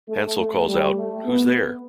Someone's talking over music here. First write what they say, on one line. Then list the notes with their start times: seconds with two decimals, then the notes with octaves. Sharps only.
Hansel calls out, Who's there?
0.08 A3
0.37 A3
0.67 G3
0.95 A3
1.25 B3